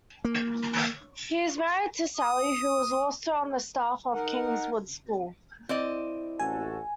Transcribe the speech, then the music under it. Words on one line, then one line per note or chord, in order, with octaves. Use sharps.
He is married to Sally, who was also on the staff of Kingswood School.
A#3
D#6
D#4 A#4 F#5
C4 E4 D5 D#5
A1 F#4 A4 G#5